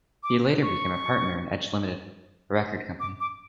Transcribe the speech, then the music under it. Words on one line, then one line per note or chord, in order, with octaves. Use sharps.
He later became a partner in Edge Limited, a record company.
D6
C#6
D6
D6